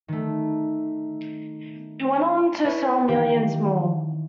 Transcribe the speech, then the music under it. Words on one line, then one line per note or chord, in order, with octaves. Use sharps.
It went on to sell millions more.
D#3 A3
E4 B4 C#5
D#3 E3 G4 F5 G5